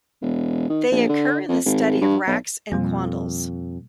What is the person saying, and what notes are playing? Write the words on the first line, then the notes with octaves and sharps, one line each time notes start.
They occur in the study of racks and quandles.
E1
D#3
A#1
D3
F2
G#1
G2
B1
F2 B2 G3 A#3